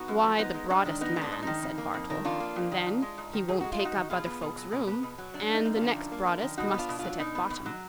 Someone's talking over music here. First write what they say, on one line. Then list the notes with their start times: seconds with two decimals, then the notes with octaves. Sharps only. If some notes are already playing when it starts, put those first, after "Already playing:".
"Why, the broadest man," said Bartle; "and then he won't take up other folks' room; and the next broadest must sit at bottom."
Already playing: B3 D#4 F#4
0.08 F#2
0.24 F3
0.39 B3 D#4
0.54 G#3
0.70 G#2 D4
0.85 D#3
1.01 B3 D#4
1.16 G#3
1.21 D4
1.32 G#2
1.42 D#3 D#4
1.62 F2
1.78 A#3
1.94 F2
2.10 D#3
2.25 F2 D4 F4
2.40 A#3
2.56 F2
2.72 D#3
2.86 G#2
3.02 G#3
3.18 G#2
3.33 D#3
3.48 G#2 G#4
3.61 G#3 F#4
3.72 F4
3.79 G#2
3.85 D#4 F#4
3.95 D#3
4.10 B2 F4 G#4
4.26 B3
4.42 B2
4.57 F#3
4.72 B2
4.87 B3
5.03 B2
5.18 F#3
5.34 F#2 D4
5.50 A#3 D#4
5.65 F#2
5.76 D4 F4
5.81 D#3
5.96 F#2
6.12 A#3
6.27 F#2
6.42 D#3
6.57 B2 D#4 F#4
6.74 B3 D4 F4
6.89 B2
6.99 D4 F4
7.05 F#3
7.20 B2 D#4
7.35 B3
7.50 B2
7.66 F#3